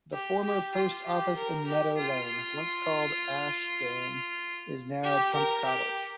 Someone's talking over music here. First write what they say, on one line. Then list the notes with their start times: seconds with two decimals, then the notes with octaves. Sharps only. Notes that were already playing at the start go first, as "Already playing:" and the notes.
The former post office in Meadow Lane, once called Ashdene, is now Pump Cottage.
0.13 G4
0.45 G4
0.75 F4
1.06 G4
1.36 A#4
1.67 G4
1.97 F4
5.03 G4
5.34 A#4
5.65 G4